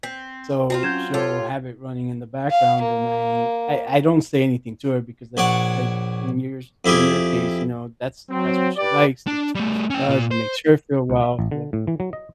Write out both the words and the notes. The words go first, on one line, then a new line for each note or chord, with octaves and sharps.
so she'll have it running in the background, and I I I don't say anything to her, because, like like, in your s in you case, you know, that's that's what she likes, it's what she does and makes her feel well, so
C4 B6
C4 D#4 F4 F#4
F#3 C#4 G6 G#6 E7
F4 G4 A4 C#5
F5
A#3
A#1 C#5 D5 F#5
F2 E4 G4 G#4
F#3 C4
G4 B4 D5
D4
G3 A3
C#4 G5
A#2 F4
C5
C#2
E5
A1
D3
A2
E3
F#3
D#5